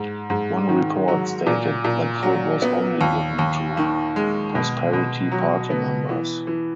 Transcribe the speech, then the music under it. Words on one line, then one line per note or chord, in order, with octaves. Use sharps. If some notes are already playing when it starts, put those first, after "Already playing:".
One report stated that food was only given to Prosperity Party members.
Already playing: G#2
G#2
D#3
F#3
A#2
A#2
F#3
B3
D#2
D#2
D#3
G#3
B2
B2
F#3
B3
E3
E3